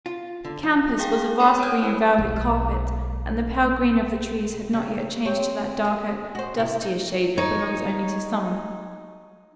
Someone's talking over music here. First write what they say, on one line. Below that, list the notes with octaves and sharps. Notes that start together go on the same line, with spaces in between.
The campus was a vast green velvet carpet and the pale green of the trees had not yet changed to that darker, dustier shade that belongs only to summer.
F4
D3
F3
G#4 F5 G5 G#5
C#5 G5 G#5 B5 C6 D6
C5 C#5 E6 G6 G#6
E4 B4 C5
B1 G#3
C#3 G3
C4 G4 C#5
G#4
F#4 C5
C3 E4
D#4
D#4 C#5